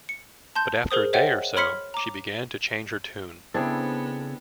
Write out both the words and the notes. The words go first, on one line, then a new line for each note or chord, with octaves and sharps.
But after a day or so she began to change her tune.
C#7
A5 C6 G6
G#4 A#4 C5 D#6
C5 C#5 D#5 E5 F#5 G5
C#5 B5 C6 F6 B6 C#7
A#5 D6
C#3 B3 C4 D4 E4 G#4 A4